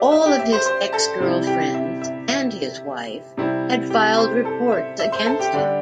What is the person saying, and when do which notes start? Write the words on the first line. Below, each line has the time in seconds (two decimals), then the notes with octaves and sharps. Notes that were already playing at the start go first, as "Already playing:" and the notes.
All of his ex-girlfriends, and his wife, had filed reports against him.
Already playing: G4 D5 E5
0.12 E5
0.25 G4 G5
0.39 E5
0.52 C5 C6
0.66 C5 C6
0.93 A4 A5
1.20 C3 G3 C4 E4
1.47 G4 G5
1.74 E5
2.02 E5
2.28 E5
3.37 C3 G3 C4 E4
3.90 G4 G5
4.18 C5 C6
4.45 A4 A5
4.72 E5
5.00 E5
5.12 C5 C6
5.26 A4 A5
5.39 G4 G5
5.53 D3 G3 D4